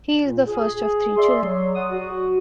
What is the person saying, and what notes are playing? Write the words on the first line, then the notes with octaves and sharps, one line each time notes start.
He is the first of three children.
A#2
G#4
D5 E5 C6
F#3
C#5 D5 F#5 D#6
F#4